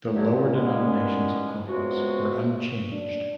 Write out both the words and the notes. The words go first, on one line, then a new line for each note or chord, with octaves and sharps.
The lower denominations of coins were unchanged.
D3 D#3 F#3 A#3 G4 E5
A#2
D#3 G3 G#3 B3 C#4 E4
C#2 C3 G#3 B3 F#4
D4